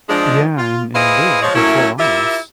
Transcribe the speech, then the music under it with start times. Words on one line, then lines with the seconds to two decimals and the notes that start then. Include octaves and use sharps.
Yeah, and and live their full lives.
0.08 F3 G#3 D4
0.57 F4
0.94 E4 G#4 B4 C5 D#5 F5
1.42 F3 G#3 C#5
1.55 F#3 A3 A#3 C#4 E4
1.99 E4 F4 G4 A#4 E5